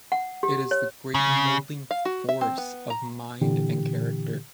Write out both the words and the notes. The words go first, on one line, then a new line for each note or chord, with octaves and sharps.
It is the great molding force of mind and character.
F#5
G4
C#5
C#3
F5
F#4
E5
C4
B3
A#5
A#2 D3 E3 G4